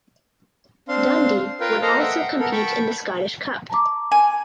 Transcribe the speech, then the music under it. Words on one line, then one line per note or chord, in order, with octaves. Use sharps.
Dundee would also compete in the Scottish Cup.
C4 D4 F5 C6
F4 A#4 B4 F5 G5
A#3 A4 C5 D#5 F5 A#5
E5 F#5 G5
B3 A4 A#4
G5 A5 B5 C#6
A5 A#5 D6
G#5